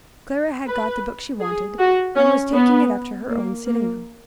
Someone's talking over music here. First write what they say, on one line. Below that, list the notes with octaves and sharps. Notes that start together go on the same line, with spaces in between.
Clara had got the book she wanted, and was taking it up to her own sitting-room.
B4
G#4
F#4
C#4
B3
A#3
A#3